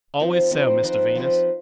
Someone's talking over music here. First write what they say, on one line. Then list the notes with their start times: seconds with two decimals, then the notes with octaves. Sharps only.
'Always so, Mr Venus.
0.20 F3 C4 D#4
0.51 F3 C4 D#4
0.83 F3 C4 D#4 B4
1.15 F3 C4 D#4 B4